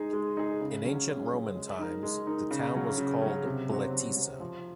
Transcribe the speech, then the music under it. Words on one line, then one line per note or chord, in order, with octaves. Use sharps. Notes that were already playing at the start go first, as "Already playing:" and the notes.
In ancient Roman times, the town was called "Bletisa".
Already playing: G#3 D#4 G#4
G#3
D#4 G#4
C#3
F#3 C#4
C#3
F#3 C#4
G#3
D#4 A#4
G#3
D#4 A#4
C#3
F#3 C#4
C#3
F#3 C#4
C3
F#3 C4 F#4
C3
F#3 C4 F#4
F3